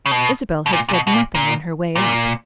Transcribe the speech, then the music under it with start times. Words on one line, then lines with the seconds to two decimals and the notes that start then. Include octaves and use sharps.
Isabel had said nothing on her way up.
0.06 C#3
0.11 B2
0.66 B2
0.73 A#2
0.89 A#2
0.93 B2
1.07 B2
1.14 A#2
1.35 A#2
1.96 A#2